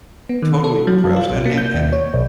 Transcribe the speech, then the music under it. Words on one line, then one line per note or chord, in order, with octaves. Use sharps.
totally depressed, and and and
B3
D#3
A4
F#3
F#2
F4
A#1
A#3
G6
D#2
C#5
B1